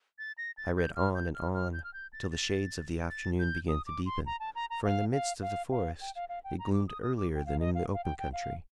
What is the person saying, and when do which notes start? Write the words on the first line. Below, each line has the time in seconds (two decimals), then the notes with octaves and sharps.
I read on and on, till the shades of the afternoon began to deepen; for in the midst of the forest it gloomed earlier than in the open country.
0.19 A6
0.38 A#6
0.57 A6
0.77 G6
0.95 F6
1.15 G6
1.35 F6
1.54 F6
1.73 G6
1.84 F6
1.94 G6
2.13 A6
2.31 A6
3.09 A6
3.39 G6
3.68 D#6
3.86 D6
4.06 C6
4.26 A#5
4.40 A5
4.55 A#5
4.70 A#5
4.84 F5
5.12 F5
5.42 F5
5.71 F5
6.01 G5
6.15 F5
6.29 F5
6.44 G5
6.59 A#5
6.73 D6
6.88 D#6
7.02 D#6
7.17 D6
7.35 G5
7.46 F5
7.60 D#5
7.75 F5
7.93 F5
8.04 G5
8.19 G5
8.33 F5